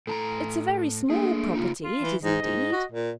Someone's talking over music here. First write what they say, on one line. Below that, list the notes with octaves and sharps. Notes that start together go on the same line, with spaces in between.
It's a very small property, it is indeed.
A2 A4 A5 A#5
A3 A#3 D4 G#4
C#3 A#3 D#4 F4
F4
E3
G#2 D#5
G#2
F#4
A#2